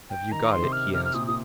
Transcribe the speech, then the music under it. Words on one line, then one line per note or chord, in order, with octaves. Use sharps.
"Have you got it?" he asked.
G5
D#3 A#5
C6
C3
F6
C3 F6
F6
A#2 D#6
A#2 D#6